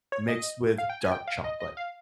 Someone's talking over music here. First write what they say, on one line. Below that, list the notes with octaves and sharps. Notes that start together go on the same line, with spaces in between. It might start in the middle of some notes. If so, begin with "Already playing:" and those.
mixed with dark chocolate.
C#5
D#5
F5
G5
G#5
G5
F5
D#5
D#5
F5